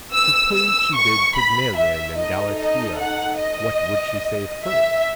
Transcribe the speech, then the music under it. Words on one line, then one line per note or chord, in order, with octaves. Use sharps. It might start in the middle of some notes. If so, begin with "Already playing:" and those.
Suppose she did Pygmalion and Galatea what would she say first?
E6
E6
C#6
B5
E5
D#4 A4 D#5
D#5
F#5
D#5
E5